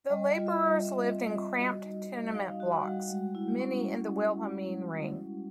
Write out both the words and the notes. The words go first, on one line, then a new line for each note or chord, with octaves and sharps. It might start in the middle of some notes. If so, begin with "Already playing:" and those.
The labourers lived in cramped tenement blocks, many in the Wilhelmine Ring.
G3 D#5
F4
E5
G3
C4 E5
G3
E5
G3
F#4 D#5
D#4
G3
D#4 F5
F#4
F#5
G3
G#3
E4
C#4